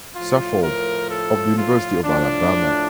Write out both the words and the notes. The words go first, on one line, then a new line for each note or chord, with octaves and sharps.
Saffold, of the University of Alabama.
A2 F3 F4
A#4
A4
F4
A2 F3 D4